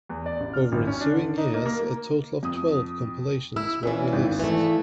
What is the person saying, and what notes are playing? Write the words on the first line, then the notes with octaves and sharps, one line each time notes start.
Over ensuing years, a total of twelve compilations were released.
E2
D5
A1
F6
G#1
C#4
D4
D3
D#4
A#3
A#3
F2 D#6
E4 E6
A#2 E3 C#4 B4
G#1
E3 A3